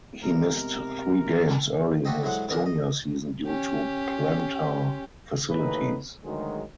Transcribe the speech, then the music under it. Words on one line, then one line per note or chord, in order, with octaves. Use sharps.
He missed three games early in his junior season due to plantar fasciitis.
C3 G#3 B3 D#4 A#4
F#4 G4 A4 C5 D#5 G5
A2 F#3 G#3 C5 F#5
D2 B2 D#3 D4 A#4
D#5
C#4 G4
D#2 A2 E3 D#4 B4
D2 D#3 F#3 G#3